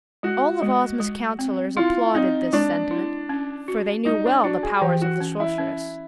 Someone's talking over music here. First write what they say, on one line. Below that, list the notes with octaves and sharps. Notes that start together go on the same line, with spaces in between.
All of Ozma's counsellors applauded this sentiment, for they knew well the powers of the Sorceress.
G#3 F#4
G#3
G#3
C4
E4 F4
C4 D#4
G#3 D4
E4
C#4
F#4
G#3 D#4
D4
D4 F#4
G#4
E3 G4
F#4
C#4
E4
C#4